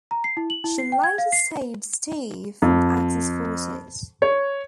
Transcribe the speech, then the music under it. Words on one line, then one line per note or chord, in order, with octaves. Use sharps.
She later saved Steve from Axis forces.
A#5
C7
E4
F#7
E4
C7
G5
G#6
F5
C7
F2
C#5